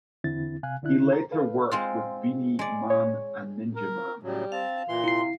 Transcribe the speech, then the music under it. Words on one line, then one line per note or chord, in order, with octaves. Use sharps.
He later worked with Beenie Man and Ninjaman.
E2 D3 C4 E4 A6
C3 F5 G#5 F#6
C2 D3 D4 E4 F#6
C5 A#5
A4 B4 F5
G#3 C4 F4
G#3 D5
C#5
A#4
A2 C#3 F#3 G3
C4 F5 A5
A#2 E3 C6
C3 E4 C7